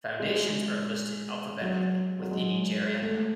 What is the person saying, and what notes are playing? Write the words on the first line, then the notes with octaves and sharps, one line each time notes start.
Foundations are listed alphabetically within each area.
G#3
F#3
F#3
G#3
A3